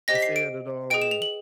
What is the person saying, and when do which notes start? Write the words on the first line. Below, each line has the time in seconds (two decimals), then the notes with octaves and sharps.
they said that, um
0.08 G4 C5 D#5 G5 A#6
0.15 B6
0.22 C7
0.36 D7
0.90 G#4 B4 D#5 G5 D7
1.02 E7
1.11 F7
1.22 F#7